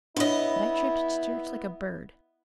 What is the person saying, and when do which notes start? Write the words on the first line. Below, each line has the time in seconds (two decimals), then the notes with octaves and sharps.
But I tripped to church like a bird.
0.16 B3 D4 E4 C#5 D#5